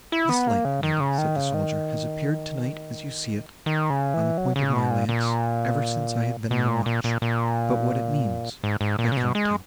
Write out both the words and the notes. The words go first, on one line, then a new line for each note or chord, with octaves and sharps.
'This light, lady,' said the soldier, 'has appeared to-night as you see it, on the point of my lance, ever since I have been on watch; but what it means I cannot tell.'
E4
B3
A#3
C#3
D#3
C#3
D#3
C#3
D#3
D#3
C#3
E3
F#3
C#3
B2
A#2
A#2
B2
A#2
A#2
A#2
A#2
G#2
G#2
A#2
C#3
B2
G#3